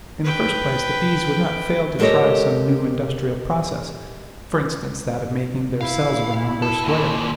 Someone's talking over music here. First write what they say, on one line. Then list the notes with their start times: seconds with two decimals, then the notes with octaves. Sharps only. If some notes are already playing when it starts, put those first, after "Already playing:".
In the first place, the bees would not fail to try some new industrial process; for instance, that of making their cells round or square.
0.24 B4 G5
1.99 G#3 G4 A4 A#4 C#5 D#5
5.81 E4 F5
6.62 A4
6.84 D#2 A#2